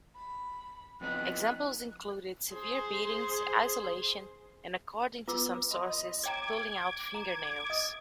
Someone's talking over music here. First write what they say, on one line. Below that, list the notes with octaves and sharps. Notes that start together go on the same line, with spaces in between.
Examples included severe beatings, isolation and, according to some sources, pulling out fingernails.
B5
F2 B3 D#4 F#6
G#4 C5
B3 F4 D6 E6
D#5 B5 C6
C#5 G5 A#5 D6 G#6
A#5
D#5 D#6